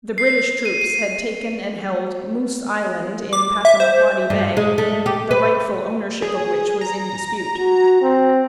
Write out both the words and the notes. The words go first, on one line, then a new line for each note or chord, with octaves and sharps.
The British troops had taken and held Moose Island in Passamaquoddy Bay, the rightful ownership of which was in dispute.
C7
D#7
D#7
D6
E5
C5
G2
G#3
A3
G4
B4
G#4
A#5
F#4
C4